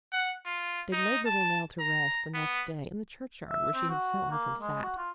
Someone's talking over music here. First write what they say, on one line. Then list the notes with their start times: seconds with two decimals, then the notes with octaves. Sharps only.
They laid little Nell to rest the next day in the churchyard where she had so often sat.
0.12 F#5
0.45 F4
0.93 D#4
1.26 A5
1.79 A#5
2.34 B3
3.49 E5
3.74 C4
3.90 F#4
4.31 A#3
4.61 G#3
4.83 F#4
4.97 F4